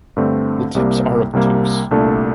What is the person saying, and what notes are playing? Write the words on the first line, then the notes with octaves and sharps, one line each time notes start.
The tips are obtuse.
G2 D3 A3 C4
C2 C3 G3 A#3
C2 C3 G3 A#3
C2 A#2 A3 D4 A4